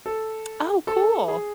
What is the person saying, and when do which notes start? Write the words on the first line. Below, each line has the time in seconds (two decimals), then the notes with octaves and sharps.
Oh, cool.
0.06 A4
0.87 A4
1.28 G#4